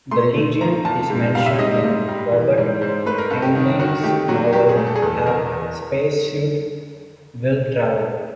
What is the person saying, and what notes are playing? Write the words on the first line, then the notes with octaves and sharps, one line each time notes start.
The legion is mentioned in Robert Heinlein's novel Have Space Suit - Will Travel.
A3 C6
A3
F3 A#5
A#2 A5
G#2
G3 F5
E5
G#2 D#5
G#2
G3
E3
G#2
G#2 C5
A3 B4
A#4
G2 A4
G4
D#3
D#3 F#4
A3 G4
F#3 F#4
G2 G4
G#4
A3
A4
G#4
E2 A4
E2 A#4
E2